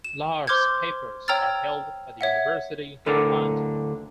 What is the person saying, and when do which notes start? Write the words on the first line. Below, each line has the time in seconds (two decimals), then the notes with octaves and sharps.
Lahr's papers are held by the University of London.
0.04 E7
0.47 C5 C6 D6 F6 G6 G#6
1.28 C#5 G5 A#5 E6 F6 A6
2.21 C#5 E5 F#5
3.06 D2 A2 D3 A4 A#4 D5